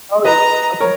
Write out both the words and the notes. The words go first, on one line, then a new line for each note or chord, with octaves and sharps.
Oh, you okay.
B4 D#5 A#5
A#4 C#5